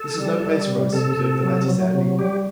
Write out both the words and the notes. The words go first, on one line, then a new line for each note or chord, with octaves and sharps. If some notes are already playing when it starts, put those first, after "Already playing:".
'This is no place for us,' observed the latter sadly.
Already playing: A4
G3
G3
C3
C3 A4
C3
F#3
F#3
C3
G3 G4